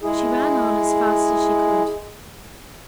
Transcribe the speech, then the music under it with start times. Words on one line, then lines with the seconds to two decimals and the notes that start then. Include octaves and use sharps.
She ran on as fast as she could.
0.02 G#3 E4 G#4